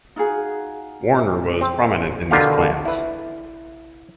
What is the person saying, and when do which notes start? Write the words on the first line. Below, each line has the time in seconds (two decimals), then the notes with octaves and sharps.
Warner was prominent in these plans.
0.16 D#4 F4 F#4 G#4
1.61 C4
2.31 B2 D3 A#3 F4 G4 F5
2.85 E4 B4